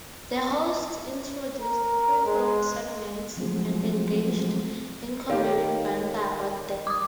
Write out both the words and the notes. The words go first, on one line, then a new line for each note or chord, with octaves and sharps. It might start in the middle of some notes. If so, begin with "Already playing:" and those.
The hosts introduced pre-filmed segments and engaged in comedic banter about them.
A#4
G#3
F3 F#3 G#3 A3 C4
D#3 G4 C#5 F5
D6 D#6